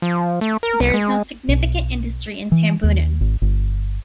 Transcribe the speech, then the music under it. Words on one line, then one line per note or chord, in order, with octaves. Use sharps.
There is no significant industry in Tambunan.
F3
A3
A#4
C2
G#3
B1
E3
D#2
G#1
G1